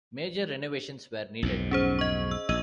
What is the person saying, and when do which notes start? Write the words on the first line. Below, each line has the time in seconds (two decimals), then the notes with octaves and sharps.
Major renovations were needed.
1.42 B1 F2 G#2
1.71 C#4 G#4 C5
1.99 D#5 C#6
2.31 E6
2.49 A#1 D#5 E6 D#7